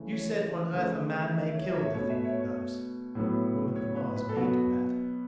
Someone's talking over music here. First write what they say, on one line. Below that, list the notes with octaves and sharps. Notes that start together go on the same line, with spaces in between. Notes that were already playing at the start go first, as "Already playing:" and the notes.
You said, 'On Earth a man may kill the thing he loves.' A woman of Mars may do that!
Already playing: C#3 E3 A3
C#5
C#3 A3 B4
E5
C#5
E5
C#5
B2 A3 C#5
E5
C#5
C#5
A2 F#3 B3
C#5
B4
B4
A4
B2 F#3 B3 F#4